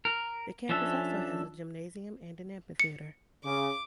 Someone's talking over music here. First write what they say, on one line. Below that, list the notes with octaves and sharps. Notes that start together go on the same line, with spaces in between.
The campus also has a gymnasium and an amphitheatre.
A#4
F3 C#4 D4 A4 E5
C#7
C#3 D6